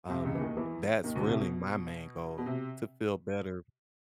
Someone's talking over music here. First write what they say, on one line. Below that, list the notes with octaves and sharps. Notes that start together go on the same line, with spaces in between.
um, that's really my main goal, to feel better.
C2 C3
C#2 C#3
E3
D#2 D#3
E2 E3
D#2 D#3
D2 D3
C2 C3
B2
B2
C3